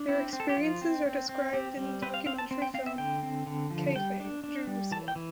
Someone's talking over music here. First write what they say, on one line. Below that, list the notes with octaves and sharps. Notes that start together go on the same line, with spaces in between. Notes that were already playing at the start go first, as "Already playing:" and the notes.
Their experiences are described in the documentary film, "Kaifeng, Jerusalem".
Already playing: D4
C4 E4
C4
A4
G4
F3 F4
C4
C4
C4
C4 G4
G3
C4 B4
F5
C4 F5
A5
C4
G5
C4 F5
E5
D3 G5
C4
D3
F3
G3 G5
D4
D4
G3
E3 A5
G5
E3